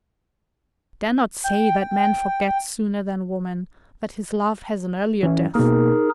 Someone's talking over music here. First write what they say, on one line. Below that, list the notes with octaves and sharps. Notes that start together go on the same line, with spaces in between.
Dare not say that man forgets sooner than woman, that his love has an earlier death.
G5
E3 C#4 E4
B2 A#3 D#4 G#4 A#4